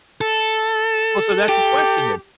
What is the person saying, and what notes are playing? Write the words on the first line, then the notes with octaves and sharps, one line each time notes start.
Well, so that's a question then.
A4
G4